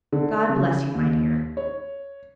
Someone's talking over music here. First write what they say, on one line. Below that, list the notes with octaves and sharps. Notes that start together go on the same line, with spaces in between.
God bless you, my dear!
D3
C#3
D#2
C#5